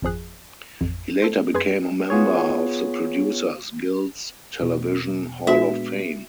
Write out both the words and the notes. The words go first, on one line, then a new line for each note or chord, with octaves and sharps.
He later became a member of the Producers Guild's Television Hall of Fame.
G#1 F2 F3 G#4 F#6
A1 F2
A4 C5
F#2 G#4 B4 C6 G#6
B3 F4 G#4 C#5
E2 B2
A#2 G#3 B3 D4 F#4 E5